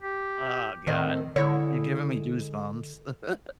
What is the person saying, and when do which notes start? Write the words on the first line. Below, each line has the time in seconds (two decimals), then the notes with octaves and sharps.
Oh God. Uh, you're giving me goosebumps.
0.02 G4
0.87 A2 D#3 C4 D#5
1.36 D3 G#3 E4 C#5